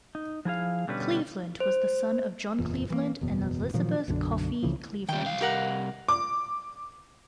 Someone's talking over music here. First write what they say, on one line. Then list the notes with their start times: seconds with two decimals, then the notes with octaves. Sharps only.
Cleveland was the son of John Cleveland and Elisabeth Coffey Cleveland.
0.15 D#4
0.45 F3 E4 G#4 F5
0.88 B2 D3 G3 C#4 B4
1.60 C5
2.58 F#1 E2 A#2
2.90 E3 F#3 A#3
3.21 F#1 E2 B2
3.74 A#2 D#3 F3 F#3
4.08 B1 F#2 D3 D4
4.63 C#2 C#3 E3 F3
5.09 D#3 G3 G5
5.24 C2 F5
5.41 G4 A#4 F#5
6.08 D6